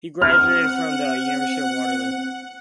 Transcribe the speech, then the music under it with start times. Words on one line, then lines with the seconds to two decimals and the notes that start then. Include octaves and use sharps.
He graduated from the University of Waterloo.
0.22 C4 F#5 F6